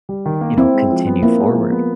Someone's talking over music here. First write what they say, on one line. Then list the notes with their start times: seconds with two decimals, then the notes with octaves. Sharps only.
you know, continue forward,
0.09 G3
0.26 D#3
0.41 A#3
0.58 C4 E4
0.74 G#3
0.91 F3
1.07 B3
1.23 A#3 E4
1.38 G#3
1.55 F3
1.72 B3